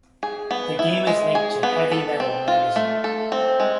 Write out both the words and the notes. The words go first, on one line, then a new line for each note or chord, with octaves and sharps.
The game is linked to "Heavy Metal" magazine.
G#4
B3
E4
G#3
G#4
B3
A4
C4
F4
A3
A4
C4
G#3